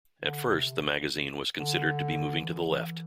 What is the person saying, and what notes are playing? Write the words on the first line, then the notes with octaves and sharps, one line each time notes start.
At first, the magazine was considered to be moving to the Left.
D3
C3
D3
E3